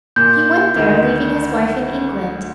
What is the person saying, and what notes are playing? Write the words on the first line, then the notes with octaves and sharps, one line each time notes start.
He went there, leaving his wife in England.
A#2 G6
D2 D#3